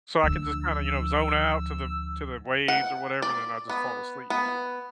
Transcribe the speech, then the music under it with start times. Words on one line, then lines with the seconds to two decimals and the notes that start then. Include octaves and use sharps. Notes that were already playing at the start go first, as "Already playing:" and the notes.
so I can, just, kinda, you know, zone out to the to the waves or whatever, and then I'll just fall asleep.
0.23 D2 F3 E6
2.68 F#5
3.22 D5
3.69 B3
4.30 B3